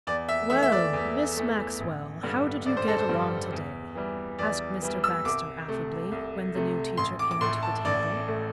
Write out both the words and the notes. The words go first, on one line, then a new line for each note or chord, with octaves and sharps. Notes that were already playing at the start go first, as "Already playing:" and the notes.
"Well, Miss Maxwell, how did you get along today?" asked Mr. Baxter affably, when the new teacher came to the table.
E2 D5
E5
E3 A3 E5
E5
D5
E2
E3 A3
A1
G2 D3 G3
A1 D5
C5
A4
C5
G2 D3 G3
E2
E3 G3
E2 D5
E3 G3
E6
C2 D6
C3 A3
C2
C3 A3
A1 C6
D6
D6
A2 A3 C6
A5
A1 D5
A2 A3